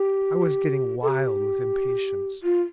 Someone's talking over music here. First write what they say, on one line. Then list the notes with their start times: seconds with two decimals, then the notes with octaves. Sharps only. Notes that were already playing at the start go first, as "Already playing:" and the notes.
I was getting wild with impatience.
Already playing: G4
1.02 A4
1.08 G4
2.43 F4